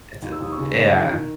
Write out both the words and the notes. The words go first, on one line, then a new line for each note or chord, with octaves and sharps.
It's a yeah, yeah.
D#2
E6
D#2 D#6
C#6 E6
C#3
D#3
D#3
D#3